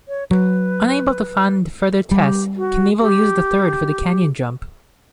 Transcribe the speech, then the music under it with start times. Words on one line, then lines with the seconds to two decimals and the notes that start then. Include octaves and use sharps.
Unable to fund further tests, Knievel used the third for the canyon jump.
0.08 C#5
0.31 F#3 B4
2.11 G3 G4
2.57 F#4
3.01 G4